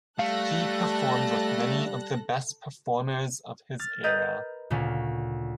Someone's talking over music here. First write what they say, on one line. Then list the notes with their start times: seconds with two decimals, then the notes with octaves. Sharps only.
He performed with many of the best performers of his era.
0.19 G3 A3 A4 F5 F#6 A#6
3.79 F6 A6
4.04 A#4 B4 D#5 G6 A6
4.70 D2 A#2 C#3 C#4